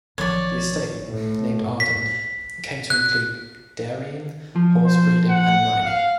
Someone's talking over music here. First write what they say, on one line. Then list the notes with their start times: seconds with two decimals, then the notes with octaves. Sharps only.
The estate, named Arden, came to include dairying, horse breeding and mining.
0.18 A1 D#3 F3 C#5 D5
1.05 A2
1.80 B6
2.90 F#6
4.56 F3
4.85 C5
5.28 F#5
5.85 F5